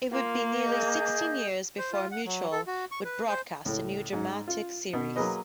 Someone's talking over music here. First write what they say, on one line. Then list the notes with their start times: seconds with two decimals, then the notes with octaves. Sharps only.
It would be nearly sixteen years before Mutual would broadcast a new dramatic series.
0.12 A#3 F4
0.65 G#4 D#5 G6
1.78 C5
1.92 F4
2.12 F#5
2.26 F#3
2.52 A4
2.67 F#4
2.91 C#6
3.05 B4
3.29 C5
3.65 C#2 A2
4.13 G#2
4.48 F4
4.93 B2
5.16 F#3 A#3 G#4 B4 D#5